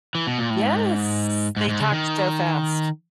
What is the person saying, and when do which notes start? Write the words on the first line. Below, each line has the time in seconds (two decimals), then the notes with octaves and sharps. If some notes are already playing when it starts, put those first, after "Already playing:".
Yes, they talked so fast.
0.15 E3
0.27 B2
0.39 A#2
0.50 A2
0.62 G#2
1.56 G#2
1.69 G#2
1.80 C#3
1.92 D#3